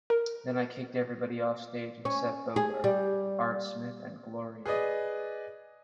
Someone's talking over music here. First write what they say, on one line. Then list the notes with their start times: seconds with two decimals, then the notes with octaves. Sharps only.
Then I kicked everybody off stage except Bogart, Art Smith and Gloria.
0.10 A#4
2.05 C#4
2.56 G#4
2.84 G3
4.66 G#4 B4 D5 D#5